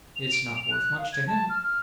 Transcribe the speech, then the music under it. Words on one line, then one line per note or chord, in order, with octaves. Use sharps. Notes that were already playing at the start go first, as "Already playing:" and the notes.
It's not worth much to him.
F7
D7
F7
F#6
F5
G#6
A5
F6
F6